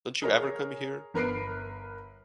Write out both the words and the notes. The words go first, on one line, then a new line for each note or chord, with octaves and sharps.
Don't you ever come here?
G#4 A#4 C#5
G1 A#4 B4 C7 D7